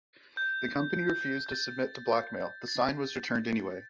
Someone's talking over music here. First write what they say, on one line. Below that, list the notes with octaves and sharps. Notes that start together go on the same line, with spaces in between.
The company refused to submit to blackmail; the sign was returned anyway.
G6
G6
A6
A6